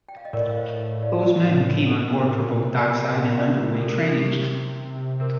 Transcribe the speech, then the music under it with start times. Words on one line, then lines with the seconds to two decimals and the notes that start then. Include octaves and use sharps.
Those men came on board for both dockside and underway training.
0.09 G5
0.17 F5
0.25 D#5
0.33 A2 A#4 D5
0.51 F5
0.56 C5 D#5
1.02 D5 F5
1.20 A#4 D5
1.38 C5 D#5
1.55 C5
1.73 C5
1.87 A4
1.96 A#4
2.18 A#4
2.42 A#2 A#4
2.59 C3 C5
2.77 A#4 D5
2.94 C3 A#4
3.12 A#2 A#4
3.23 A#2 D#5
3.35 C3 D5 F5
3.58 A#2 A#4
3.81 C3 A4
3.89 A#4
3.96 A4
4.05 D#4
4.27 G4
5.20 C3 A#4